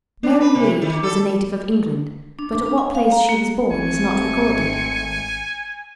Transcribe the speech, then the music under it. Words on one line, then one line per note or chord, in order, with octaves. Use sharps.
Mary Read was a native of England, but at what place she was born is not recorded.
D4
B4
C3
D#3
A4
D4
D6
D4
G#5
F5
A#5
A#3
G#1 A3 C4 G#5 C#7